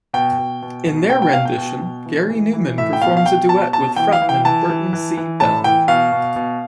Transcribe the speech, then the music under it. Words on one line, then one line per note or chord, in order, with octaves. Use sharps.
In their rendition, Gary Numan performs a duet with frontman Burton C. Bell.
B2 G5
B2
B2
B2
B2 G5
G5
B2 F5
G5
B2
B2
E3
E3
E3
A2 E5
G5
B2 F5
F5
B2 G5
B2 A5
B2 A5
E3 G5
F5
E3
G5
E3 A5
E3
E3
E3
A2 A5
E3 G5
B2 F5
B2
B2